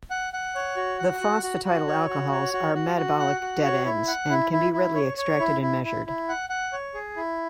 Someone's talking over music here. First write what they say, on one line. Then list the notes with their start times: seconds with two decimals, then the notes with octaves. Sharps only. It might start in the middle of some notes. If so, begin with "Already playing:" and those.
The phosphatidyl alcohols are metabolic dead-ends, and can be readily extracted and measured.
0.10 F#5
0.33 F#5
0.55 C#5
0.77 F#4
0.99 F#5
1.20 F#4
1.43 F#4
1.64 F#4
1.87 C#5
2.09 F#4
2.32 C#5
2.53 F#4
2.75 F#4
2.97 F#4
3.19 F#5
3.41 F#4
3.64 C#5
3.86 E4
4.08 F#5
4.30 E4
4.52 E4
4.73 E4
4.95 C#5
5.17 C#5
5.40 E4
5.62 E4
5.84 E4
6.06 E4
6.29 F#5
6.50 F#5
6.73 C#5
6.94 G#4
7.17 E4